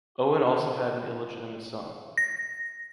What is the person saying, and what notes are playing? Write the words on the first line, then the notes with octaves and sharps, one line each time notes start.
Owen also had an illegitimate son.
A#6